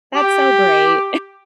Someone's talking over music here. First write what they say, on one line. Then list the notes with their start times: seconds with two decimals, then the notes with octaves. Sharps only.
that's so great.
0.16 G4